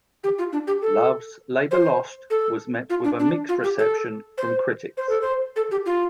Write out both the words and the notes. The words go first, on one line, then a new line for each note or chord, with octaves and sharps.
"Love's Labour's Lost" was met with a mixed reception from critics.
G4
F4
D4
G4
A4
C5
A4
F4
D4
D4
F4
G4
A4
C5
C5
A4
C5
A4
G4
F4